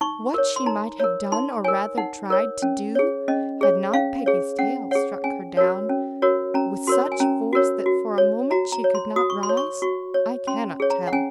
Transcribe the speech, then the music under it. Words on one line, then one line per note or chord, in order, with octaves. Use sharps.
What she might have done, or rather tried to do, had not Peggy's tail struck her down with such force that for a moment she could not rise, I cannot tell.
D#4 C#6
A#4 C#5
C6
D#4 A#5
A#4 C#5
D#4 C6
A#4 C#5 G#5
D#4 F#5
A#4 C#5
C#4
G#4 C#5
C#4 D#5
G#4 C#5
C#4 F5
G#4 C#5
C#4 F#5
G#4 C#5 F#5
C#4 G#5
F#4 A#4 C#5
C#4
F#4 A#4 C#5
C#4 A#5
F#4 A#4 C#5 C6
G#5
C#4 A#5
F#4 A#4 C#5
F#4
C#5
F#4 A#5
A#5
C#5
C6
F#4 D#6
C#6
C6
C#5
C#6
F#4 C#6
C#5
C#4 C6
G#4 C#5
A#5
F#5
C#4 G#5